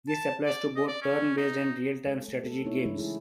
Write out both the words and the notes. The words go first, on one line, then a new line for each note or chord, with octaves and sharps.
This applies to both turn-based and real-time strategy games.
A5
D5
D#5
D5
C#4
D#4
G#3 A4
A3
A4
A3 D#4 E4 C#5
C#3 E3 G#3 A3 C#4
E4 G#4